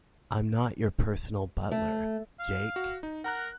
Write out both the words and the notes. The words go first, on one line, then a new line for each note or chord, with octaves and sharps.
I'm not your personal butler, Jake.
A3
F5
F#4
D#4
A#4 F#5 A#5 F#6